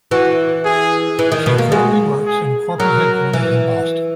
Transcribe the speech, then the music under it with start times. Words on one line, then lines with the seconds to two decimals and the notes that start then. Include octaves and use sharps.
She currently works in the corporate headquarters in Boston.
0.11 E3 F#4
0.65 G#4
1.19 E3
1.32 D#3
1.46 B2
1.58 A#3
1.72 G#3 F#4
2.26 G#4
2.80 F#3 A#4
3.33 E3